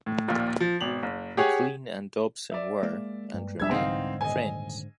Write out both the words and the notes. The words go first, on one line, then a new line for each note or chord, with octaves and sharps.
Maclean and Dobson were, and remain, friends.
A2
A#1 D#2 A#2
F3
G#1 B2 F7 F#7
F#1
G4 G#4 C#5 F#5 G#5
D5 E5
G#3 A#3
G2
E1 G3 D4 E5 E6 G#6
C2 G#2 D3 E3 C4 D#4 F5
D#1 D#5 G#5